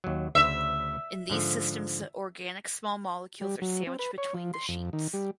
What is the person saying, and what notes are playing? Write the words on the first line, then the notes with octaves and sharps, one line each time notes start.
In these systems the organic small molecules are sandwiched between the sheets.
D#2 F#3
D2 C#3 C5 E5
G#2 D3 F3
G3
F#3
C4
B4
C#5
F3
C6
F2
D#3
G3